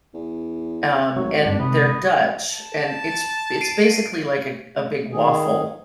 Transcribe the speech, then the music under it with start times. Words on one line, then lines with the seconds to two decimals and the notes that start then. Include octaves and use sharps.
Um, and they're Dutch, and it's it's basically, like, a a big waffle
0.14 E2
1.16 G#1 F#3 C#5
1.46 G2 D4
1.60 C3 B3
2.51 A5
3.61 C7 D7 D#7
5.13 D#3 G#4